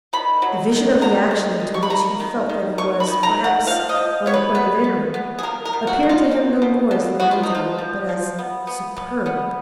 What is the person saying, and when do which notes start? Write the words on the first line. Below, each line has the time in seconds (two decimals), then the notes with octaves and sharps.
The vision of the action into which he felt that he was, perhaps, on the point of entering, appeared to him no more as lamentable, but as superb.
0.13 D#3 B5
0.42 F#3
0.72 D#3
1.01 F#3 A#5
1.31 D#3
1.60 D#3
1.74 C#6
1.83 B5
1.90 A#3 A#5
2.20 D#3
2.49 D#3
2.78 C#4 C#6
3.00 B5
3.07 D#3
3.23 A#5
3.38 D#3
3.44 F#5
3.67 F3 F5
3.89 D#5
3.96 F3
4.26 B3 C#5
4.34 B4
4.55 B3 B4
4.84 B3
5.14 B3
5.39 G#4
5.43 A#3 A#4
5.65 A#4
5.73 B2
5.87 F#4
6.03 B2
6.09 F4
6.31 A#3
6.62 B2
6.91 B2
7.20 B3 F#4
7.31 F4
7.43 D#4
7.50 F3 F4
7.78 F3
8.09 F3
8.39 B3
8.67 B3
8.96 B3
9.26 B3